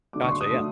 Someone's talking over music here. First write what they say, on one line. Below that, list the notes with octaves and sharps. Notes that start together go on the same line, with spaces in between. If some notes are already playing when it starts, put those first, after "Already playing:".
Gotcha, yeah.
D3 F#3 A3 D6
C#6
C6
D#6
D3 F#3 A3